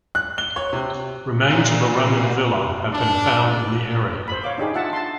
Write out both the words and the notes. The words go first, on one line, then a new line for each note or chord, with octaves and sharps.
Remains of a Roman villa have been found in the area.
F#6
G7
C#5
C3
A#2
D4
C5 B5
C#5 F5 D6
D4 D#4 G4 G#4
F4 E5 F#5 A5
A5 C6